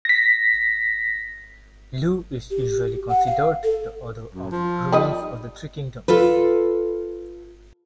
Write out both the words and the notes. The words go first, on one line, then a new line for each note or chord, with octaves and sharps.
Luo is usually considered the author of "Romance of the Three Kingdoms".
A#6 B6
G4
F#5
F5
A4
F#2
F3
G3 D#4 D#5
F4 A4 B4